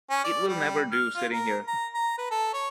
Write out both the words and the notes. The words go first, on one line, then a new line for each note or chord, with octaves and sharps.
It will never do, sitting here.
C#4
D5
G3
F6
F4
A#4
A#5
A#5
B4
A4
C#5